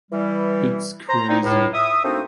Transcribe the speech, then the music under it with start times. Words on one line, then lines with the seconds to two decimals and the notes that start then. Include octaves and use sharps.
It’s crazy.
0.11 E3 G3
1.09 C5 A#5
1.29 A#3 C4 D4 D#4
1.43 C#2 A2
1.73 E5 D#6
2.03 A3 A#3 C4 D4 D#4 F#4